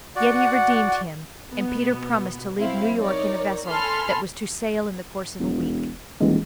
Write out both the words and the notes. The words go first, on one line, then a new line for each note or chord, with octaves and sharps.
Yet he redeemed him, and Peter promised to leave New York in a vessel that was to sail in the course of a week.
F#4 D5 F#5
B2 B3
F#3 C4 E4 F5
D#4 A#4 C#5 D5
A4 G#5 A5 B5 C6 F6
E1
D#1 E3 G#3